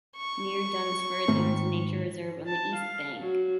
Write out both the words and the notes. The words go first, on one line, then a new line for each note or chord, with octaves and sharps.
Near Dunsford there is a nature reserve on the east bank.
C#6
G#2 D#3 A3 C4
A5
F5
F#3